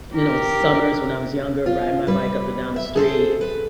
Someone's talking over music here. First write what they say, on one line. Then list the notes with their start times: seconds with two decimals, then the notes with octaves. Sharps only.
you know, s summers when I was younger, riding my bike up and down the street,
0.15 G4 A#4
1.66 F4
2.07 G3 B4
2.76 E5
2.96 G#4 A4 C5
3.41 B4